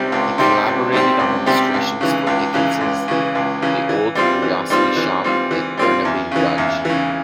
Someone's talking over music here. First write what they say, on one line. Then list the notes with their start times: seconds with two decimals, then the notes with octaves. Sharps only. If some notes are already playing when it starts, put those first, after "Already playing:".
He collaborated on illustrations for Dickens's "The Old Curiosity Shop" and "Barnaby Rudge".
Already playing: C#2 C3 G3 C4 G4
0.12 C#2
0.38 C3 G3 C4 G4
0.66 C#2
0.92 C3 G3 C4 G4
1.19 C#2
1.46 C3 G3 C4 G4
1.74 C#2
2.01 C#3 E3
2.27 C#2
2.54 C#3 E3
2.81 C#2
3.08 C#3 E3
3.35 C#2
3.62 C#3 E3
3.89 E3
4.15 G3 C4 F4
4.42 E3
4.70 G3 C4 F4
4.97 E3
5.24 G3 C4 F4
5.51 E3
5.78 G3 C4 F4
6.05 E2
6.31 C#3 E3
6.58 E2
6.85 C#3 E3